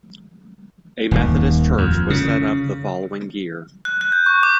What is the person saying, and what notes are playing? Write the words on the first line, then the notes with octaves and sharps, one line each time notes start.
A Methodist church was set up the following year.
D#1 D#2
F2
C#3
F#6
F#6
G6
C#6
D6